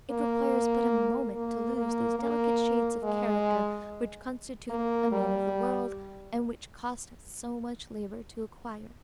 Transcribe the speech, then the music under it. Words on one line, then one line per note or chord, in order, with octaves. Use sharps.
It requires but a moment to lose those delicate shades of character which constitute a man of the world, and which cost us so much labor to acquire.
A#3
A#3
A#3
A#3
G#3
A#3
G3